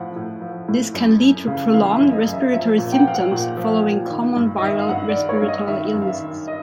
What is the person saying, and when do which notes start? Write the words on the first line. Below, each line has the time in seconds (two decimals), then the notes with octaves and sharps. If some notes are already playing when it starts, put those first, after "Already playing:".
This can lead to prolonged respiratory symptoms following common viral respiratory illnesses.
Already playing: A2 F3 F#5
0.16 A2
0.42 F3
0.68 A2
0.94 F#2
1.21 F#2
1.47 C#3
1.74 E3 F5
1.93 E5
2.00 F#2
2.13 D#5
2.26 F#2
2.33 E5
2.53 F3 E5
2.78 A#2
2.92 G5
3.00 F#5
3.05 F3 F5
3.14 F#5
3.31 A#2
3.57 F3
3.84 A#2
4.10 D#3
4.36 G2
4.58 D#3 D#5
4.67 E5
4.79 F5
4.89 G2 F#5
5.09 D5
5.16 D#3
5.29 C#5
5.42 G2
5.48 D#5
5.68 D#3 E5
5.94 F#2
6.02 F5
6.07 E5
6.20 D#3
6.48 D#5